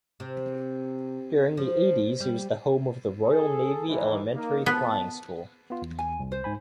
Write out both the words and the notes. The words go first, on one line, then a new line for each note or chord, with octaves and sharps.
During the eighties it was the home of the Royal Navy Elementary Flying School.
C3
F3
G3
G#4 A4
G#2 D#3 E3
A#3 D#4
F2 B3 A5
B3 F4
E2
G#5
C2
C5
G#2 G#5 B5